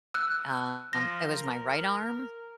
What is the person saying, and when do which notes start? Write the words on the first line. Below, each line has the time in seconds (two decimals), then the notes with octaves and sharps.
Um, it was my right arm,
0.14 E6 F#6
0.93 F3 A#6
1.31 A#4